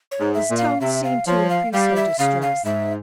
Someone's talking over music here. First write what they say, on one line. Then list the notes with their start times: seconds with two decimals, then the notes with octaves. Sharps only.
His tone seemed to increase her distress.
0.11 C#5
0.20 G#2
0.34 E5
0.50 A#2
0.58 F5
0.81 C3 E5
1.04 F5
1.27 F3 C#5
1.50 F5
1.73 G3 F5
1.96 E5
2.19 C#3 F5
2.42 F5
2.65 G#2 E5